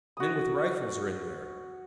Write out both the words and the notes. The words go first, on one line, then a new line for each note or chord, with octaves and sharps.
Men with rifles are in there.
F#4 D#6